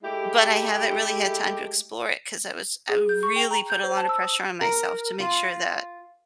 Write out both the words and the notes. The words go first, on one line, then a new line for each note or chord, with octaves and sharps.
but I haven't really had time to explore it, 'cause I was I really put a lot of pressure on myself to make sure that
G#3 A3 E4 G4
G#4
G6
C#6
G5
A#5
G6
C5
A5
E6
D#6
A#4
F4